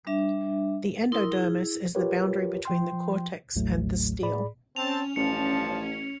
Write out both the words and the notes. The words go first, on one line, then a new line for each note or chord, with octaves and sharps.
The endodermis is the boundary between the cortex and the stele.
G3 D4 E5
E4 A#4 C6 D#6
E4 G#4
F4 G4 A#4 B4 C#5
F3 G5 C6
A1 D#2 A2 F#3 A3
A2 G#4 D5 B5
C4 C#4 A5 F7
A1 G2 F3 A5 C#7